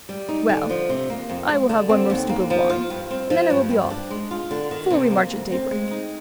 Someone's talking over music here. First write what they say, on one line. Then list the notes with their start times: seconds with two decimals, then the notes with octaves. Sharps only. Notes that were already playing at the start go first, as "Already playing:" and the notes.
"Well, I will have one more stoup of wine, and then I will be off, for we march at daybreak."
0.09 G3
0.28 D#4
0.49 D3
0.69 F3
0.89 C3
1.10 A#3
1.29 F2
1.49 G#3
1.69 D3
1.89 C4
2.10 D#2
2.29 A#3
2.50 F3
2.70 F4
2.90 G2
3.10 C4
3.30 F3
3.50 G2
3.70 G2
3.90 D4
4.10 G#3
4.31 F4
4.51 D3
4.71 D#3
4.91 C3
5.11 A#3
5.31 D2
5.52 C4
5.71 G#3
5.91 D#4